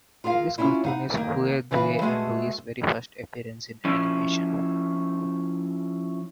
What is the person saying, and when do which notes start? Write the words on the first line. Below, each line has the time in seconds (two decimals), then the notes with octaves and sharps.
This cartoon is Huey, Dewey, and Louie's very first appearance in animation.
0.24 F4 G#4 A#4 F5
0.58 C#4 D4 E4 F4
0.84 D#4 F5 F#5
1.13 D#3 A#3
1.71 C#3 E3 B4 F5
2.01 G#3 A3 F#4 G#4 A4
3.85 F3 C#4 E4